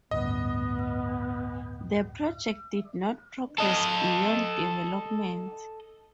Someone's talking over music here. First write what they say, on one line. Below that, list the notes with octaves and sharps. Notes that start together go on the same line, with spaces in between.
The project did not progress beyond development.
A1 D2 G2 B3 D#5
A4 D#5